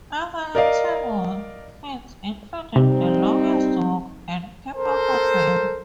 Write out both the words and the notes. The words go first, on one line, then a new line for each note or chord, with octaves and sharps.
Other notable hits included "The Longest Walk" and "Pepper Hot Baby".
A#4 D5 D#5 F5
C3 G3 C4 D#4
A4 A#4 C5